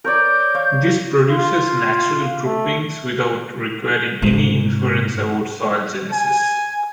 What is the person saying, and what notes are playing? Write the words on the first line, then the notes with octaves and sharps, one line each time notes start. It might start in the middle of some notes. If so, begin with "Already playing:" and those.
This produces natural groupings without requiring any inference about soil genesis.
A#4 C#5 D5 G6
C#5 F5
F4
A3
G#2 C3
G#5